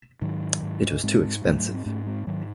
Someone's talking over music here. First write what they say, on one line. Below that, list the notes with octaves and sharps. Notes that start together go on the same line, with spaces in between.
It was too expensive.
G#2 D#3 F#3
G#2
G#2 G#3 C4
G#2 F#3 A3
C4
G#2 A3 C#4
G#3 C4
G#2 D#3 F#3